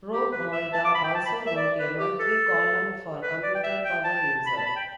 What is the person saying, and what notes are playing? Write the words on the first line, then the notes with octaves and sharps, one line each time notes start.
Rob Malda also wrote a monthly column for "Computer Power User".
G4
B4
E5
A5
D6
B5
G5
A5
B5
E5
D5
B4
G4
A4
B4
D5
G5
E5
G5
A5
B5
A5
B5
G5